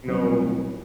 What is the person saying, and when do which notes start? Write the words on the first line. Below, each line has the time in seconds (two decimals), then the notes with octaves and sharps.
you know
0.08 C2 F#3 C#4